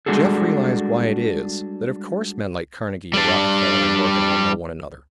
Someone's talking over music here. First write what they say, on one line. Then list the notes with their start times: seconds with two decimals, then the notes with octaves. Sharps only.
Jeff realized why it is that of course men like Carnegie or Rockefeller and Morgan all know one another.
0.06 G3 G#3 D4 F#4 G#4 A4
3.14 G3 D4